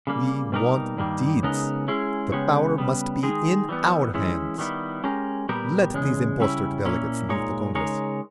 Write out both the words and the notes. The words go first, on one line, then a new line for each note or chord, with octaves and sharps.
We want deeds--the Power must be in our hands!' Let these impostor delegates leave the Congress!
C#3 G3 A#3
B2 G3 A#3 D#4 A#4
G2 D#3 G3 A#3
C#3 G#3 B3 D#4 A#4
G#3 C#4 E4 G#4
C#3 G#3 B3 G4 C#5
C#3 G3 B3
D#3 G#3 D#4 G#4
E3 G3 B3
E3 G#3 C#4 E4
D#3 G3 B3 E4
G#3 C#4 G4 A#4
A#2 G3 B3 G4 A#4
E2 C#3 G#3
C#3 G3 C#4 E4
A#2 A#3 C#4 E4
A#2 G#3 D#4 A#4 C#5
C#3 G#3 D#4 A#4 C#5